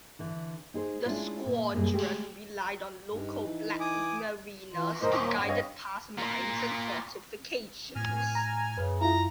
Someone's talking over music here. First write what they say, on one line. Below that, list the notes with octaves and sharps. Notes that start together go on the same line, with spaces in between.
The squadron relied on local black mariners to guide it past mines and fortifications.
D3 E3
D#4 G#4 C5
G#3 A3 C#4 D4 E4 F4
A#2
F#2 A#2 G3 G#4 A4
G#3 A3 G4
G2 D#4
E3
G#5 D6 D#6
E3 F4
D#1 A#4 C5 D#5
F#3 A#3
G2 C4 F#5 G5 B5
C#5 D#5 F5
A#3 F4
A2 G#5 F6
A#5
F#2 C#3 B4
E4 F4 A#5